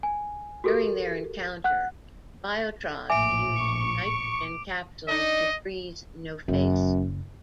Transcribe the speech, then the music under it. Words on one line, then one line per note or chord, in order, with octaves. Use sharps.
During their encounter, Biotrog used nitrogen capsules to freeze No-Face.
G#5
F#4 G4 A4 A#4
F#5 F#6
A#1 A2 E5 G#5 D6 D7
C#6
D4 D#4 D#5
F#1 F#2